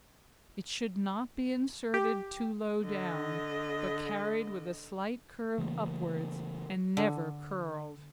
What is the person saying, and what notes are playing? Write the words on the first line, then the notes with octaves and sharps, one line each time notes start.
It should not be inserted too low down, but carried with a slight curve upwards, and never curled.
G4
D3 D#5
C#3 E3 A3 A#3
D3